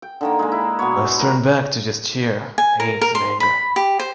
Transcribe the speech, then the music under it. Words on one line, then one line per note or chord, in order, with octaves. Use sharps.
It's turned back to just sheer hate and anger.
G5
D3 D#3 A#3
G#3 A#3
E4
B2 B3 C#5
A#4 A#5
G#5
A#4
A#4
C6
B5
G4
C5